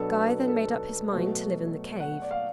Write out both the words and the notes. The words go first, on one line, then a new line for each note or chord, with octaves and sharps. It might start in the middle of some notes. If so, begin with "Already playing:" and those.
Guy then made up his mind to live in the cave.
Already playing: B2 F#3 B3 D4 A4
A4
B2 F#3 A3
F#5
D5
F5